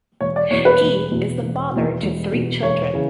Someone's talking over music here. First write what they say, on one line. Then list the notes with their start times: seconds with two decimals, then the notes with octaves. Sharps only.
He is the father to three children.
0.21 E1 C#5
0.36 D5
0.51 E2 B2 C#5
0.65 B4
0.81 E1
1.11 E2 B2
1.42 E1
1.72 E2 B2
2.02 E1
2.33 E2 B2
2.63 E1 C#5
2.94 C#3 E3